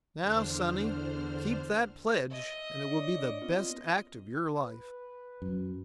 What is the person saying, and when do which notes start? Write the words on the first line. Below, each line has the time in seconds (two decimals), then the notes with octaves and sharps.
"Now, Sonny, keep that pledge and it will be the best act of your life."
0.18 E2 D3 D4 C5 F6
2.31 D#5 E5
2.91 D4 C#5 D5
3.42 B3 C4 F4
4.62 B4
5.42 F#2